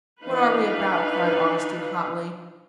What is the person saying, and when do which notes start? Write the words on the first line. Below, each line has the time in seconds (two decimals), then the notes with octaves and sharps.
"What are we about!" cried Augustine hotly.
0.23 E3 D4 D#4 B4 F5